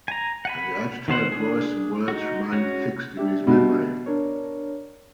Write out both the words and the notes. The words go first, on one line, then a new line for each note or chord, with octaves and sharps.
And the agitated voice and words remained fixed in his memory.
G#5 A#5
F#5 G#5 B5
D#3 B3 C5 F#5
D4 G#4
D#4 F#4
C#4 F#4
D4 G4 E5
B2
D4 A#4 C#5